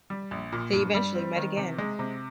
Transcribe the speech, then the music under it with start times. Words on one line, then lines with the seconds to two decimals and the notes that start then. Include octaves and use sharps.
They eventually met again.
0.10 G3
0.31 A#1
0.53 A#2
0.73 G2
0.94 G3
1.15 C4
1.36 D#3
1.57 C3
1.79 G#3
1.99 C3